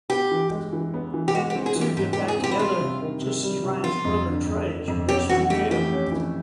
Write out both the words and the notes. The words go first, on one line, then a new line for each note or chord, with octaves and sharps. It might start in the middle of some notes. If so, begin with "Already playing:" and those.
The two get back together, just as Ryan's brother Trey is released from jail.
B3 G4
E3
G#3
E3
B3
E3
G4
G#3 F#4
G4
C4
G#4
E3
G4
G#2 G4
G4
G#3
G#4
C4 G4
E4
G3 F4
C3
D#3
C3
G3
C3
F3 F4
F2
D3
F2
F3
F2
C#4 G4
E3 F#4
A3 G4
E3 G4
C#4
E3